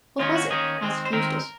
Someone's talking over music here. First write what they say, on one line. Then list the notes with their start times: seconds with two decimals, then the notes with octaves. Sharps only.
"What was it?" asked Eustace.
0.19 D#3 A#3 C#4 F4
0.36 F#4
0.50 D#3 A#3 C#4 G#4
0.82 D#3 G#3 C4
1.05 C5
1.13 D#3 G#3 C4 A#4